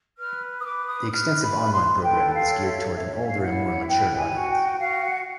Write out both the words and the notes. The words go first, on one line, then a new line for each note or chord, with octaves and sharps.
The extensive online programming is geared towards an older and more mature audience.
B4 F6
D#6
B4 D6
D#6
B4 F6
B5
B4
C6
A4 G5
F5
C#5
E5
C#5 E5
E5
F5
E4 F#5
B4 G5
G#5
F#4
G5
F#4 F5
F#5